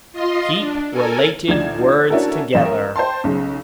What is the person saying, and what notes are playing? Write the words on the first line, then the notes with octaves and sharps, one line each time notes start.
Keep related words together.
F4 D#5 C6
D4
A4 A#4 G#5
D2 F3 D#4 D5 G#6 E7
C#4 D4 E4 F#4 A4 A#4
A1 E7
A#4
C5 G5 A5 C6
B1 C#3